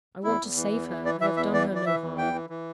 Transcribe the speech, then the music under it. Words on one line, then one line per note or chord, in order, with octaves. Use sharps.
I want to save her; I have done her no harm.
E2 E4
E2
E3
E2
E3
E3 D5
E3 E5
E2 E5
E3 D5
E3
D5
E3 E5
E2
E3 G5
E3
E3